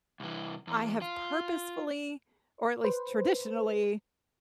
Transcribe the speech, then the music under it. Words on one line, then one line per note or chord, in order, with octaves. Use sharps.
I have purposefully, or at least traditionally,
C2 E3
E2
F4
B4 C5